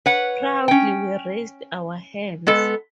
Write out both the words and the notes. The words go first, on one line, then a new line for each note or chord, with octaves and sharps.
Proudly we raised our hands.
B4 C#5 F#5
C#4 G5
G#3 B3 A4